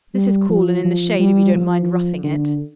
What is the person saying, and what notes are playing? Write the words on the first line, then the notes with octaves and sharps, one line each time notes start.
This is cool and in the shade, if you don't mind roughing it.'
G3
F3
F3
G3
F3
D3